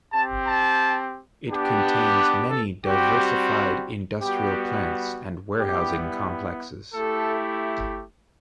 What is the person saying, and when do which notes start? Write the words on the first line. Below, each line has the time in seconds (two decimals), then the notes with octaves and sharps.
It contains many diversified industrial plants and warehousing complexes.
0.12 C4 G4 A5
0.46 A5
1.49 B3 D4 G4
2.16 B4
2.51 A4
2.85 G3 C4 F#4 G4
4.21 G3 B3 F#4 G4
5.58 G3 B3 E4 G4
6.94 A3 E4 G4 A4